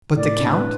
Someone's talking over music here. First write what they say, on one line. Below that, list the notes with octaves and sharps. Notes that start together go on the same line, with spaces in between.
But the count?
A2 D5
D4
B4